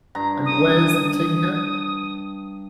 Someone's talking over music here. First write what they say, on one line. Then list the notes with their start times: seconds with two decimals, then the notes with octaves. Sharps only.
And where's the tinker?
0.15 G2 A#5
0.45 D#6
1.16 D#6